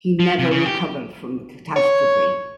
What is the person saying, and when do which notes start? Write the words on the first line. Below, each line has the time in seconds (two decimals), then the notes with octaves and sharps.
He never recovered from the catastrophe.
0.20 F3
0.39 C3
0.51 C#3
0.66 G4
1.76 C#5